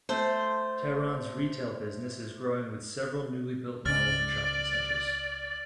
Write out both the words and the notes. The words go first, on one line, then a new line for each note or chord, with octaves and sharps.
Tehran's retail business is growing with several newly-built malls and shopping centers.
A3 C5
C#2 C#3 D5 F6 A6